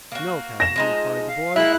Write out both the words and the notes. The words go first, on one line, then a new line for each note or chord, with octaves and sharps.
"No, captain," replied the boy.
A#3 F#4
A#6 E7
F3 G#3 D#4
F5
G#3 A#3 E4 E5 F#6